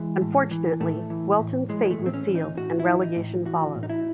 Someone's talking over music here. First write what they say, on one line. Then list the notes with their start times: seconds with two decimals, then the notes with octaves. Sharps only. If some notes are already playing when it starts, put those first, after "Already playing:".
Unfortunately Welton's fate was sealed and relegation followed.
Already playing: E3 G#3
0.21 A2
0.51 E3
0.80 A2 A3
1.10 E3
1.39 A2
1.69 E3 G#3
1.85 G#3
1.91 A3
1.99 A2
2.06 C4
2.14 C#4
2.28 E3
2.35 D#4
2.57 A2 F#4
2.80 E4
2.87 E3
3.01 D#4
3.16 A2
3.45 E3 F#4
3.75 A2
3.83 D#4
3.89 E4